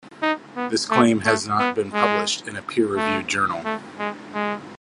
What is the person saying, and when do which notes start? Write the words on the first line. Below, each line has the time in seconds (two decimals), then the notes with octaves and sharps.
This claim has not been published in a peer reviewed journal.
0.22 D#4
0.56 B3
0.90 A3
1.25 A3
1.59 B3
1.94 G#3
2.96 A3
3.65 A3
3.99 G#3
4.34 G#3